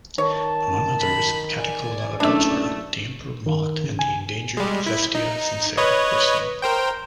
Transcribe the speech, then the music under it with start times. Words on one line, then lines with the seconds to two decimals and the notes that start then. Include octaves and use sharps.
Among others, "Catocala adultera", the emperor moth, and the endangered "Xestia sincera" were seen.
0.18 D#3 C#5 A5
1.00 B5
1.56 D5 G#5
2.20 F#1 A3 D4 E5
3.46 D#3
3.84 C#3
3.99 G#5
4.57 G3 G#3
4.86 E4
5.15 D#4
5.77 B4 C#5 D#5
6.62 A#4 C5 G5